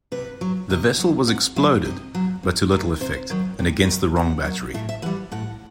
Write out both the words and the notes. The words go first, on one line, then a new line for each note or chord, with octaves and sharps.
The vessel was exploded, but to little effect and against the wrong battery.
C3 B4
F#3
C3 D#5
F#3
C3 F#5
F#3 E5
C3 D#5
F#3
C3
D#3 F#3
C3 C5
D#3 F#3
C3 G5
D#3 F#3
C3 F#5
D#3 F#3
A2 E5
E5
E3 G3 F#5
A2 F#5